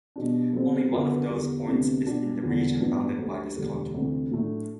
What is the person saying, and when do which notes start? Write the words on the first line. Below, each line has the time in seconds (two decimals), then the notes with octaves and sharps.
Only one of those points is in the region bounded by this contour.
0.16 B2 G3 D4
0.53 B1 B2 G3 C4
0.91 F#2 D3 F#3 B3
1.29 E2 D3 G3
1.67 D2 C3 G3 B3 D4
2.04 B2 G3 D4 F#4
2.43 E1 E2 D3 F#3
2.80 A1 G2 F#3 B3 D4
3.19 D2 D3 G3
3.56 E1 D2 D3 G3
3.94 D2 C3 E3
4.31 A2 F#3 A3 D4